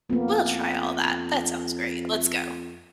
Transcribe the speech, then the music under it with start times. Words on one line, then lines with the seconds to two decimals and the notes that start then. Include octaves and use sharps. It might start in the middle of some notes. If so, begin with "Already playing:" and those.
we'll try all that, that sounds great, let's go."
0.10 F2 A#3 B3